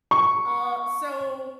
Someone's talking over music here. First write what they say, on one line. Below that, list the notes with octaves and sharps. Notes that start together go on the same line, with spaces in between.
Uh, so
C#6